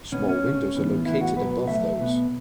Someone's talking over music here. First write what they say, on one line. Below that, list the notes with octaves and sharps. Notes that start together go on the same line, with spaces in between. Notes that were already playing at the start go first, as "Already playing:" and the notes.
Small windows are located above those.
B2 B3 C#4
C#4
C#3 A3
A2 E3 B3
A2 E3 B3 E4
F#4
B2 F#3 B3 B4
C#3 F#3 A3 E5
B2 B3